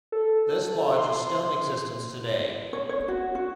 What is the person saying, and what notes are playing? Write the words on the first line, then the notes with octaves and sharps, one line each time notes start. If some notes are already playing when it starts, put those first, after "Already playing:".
This lodge is still in existence today.
A4
C6
C#5
C#5
F#4
F#4